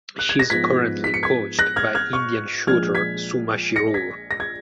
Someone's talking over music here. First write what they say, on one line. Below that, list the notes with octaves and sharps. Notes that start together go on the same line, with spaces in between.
She is currently coached by Indian shooter Suma Shirur.
F#6
G#6
A#6
G#2 F3 B3 G#6 B6
B6
C#7
G#6 B6
F#6 A#6
F6 G#6
F6 G#6
C#6 F6
A#1 A#2 F3 G#3 F6 G#6
G#6 B6
A#6 C#7
G#6 B6
A#6
G#6